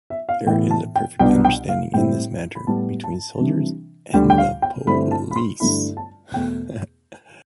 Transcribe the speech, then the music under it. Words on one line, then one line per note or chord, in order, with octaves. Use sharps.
There is a perfect understanding in this matter between soldiers and the police.
E5
F5
A2 E3 B3 E4 G5
A5
G5
C2 B2 B3 D4 G5
G5
F5
A2 G3 C4 E4 G5
B5
A2 G3 B3 A5
A5
C3 E3 G3 D4
D2 D3 G3 G5
G5
F5
G5
G2 D3 A3 C4 E4 B5
A5
B5
C6
G2 D3 A3 E4 B5
A5
E2 B2 A3 G5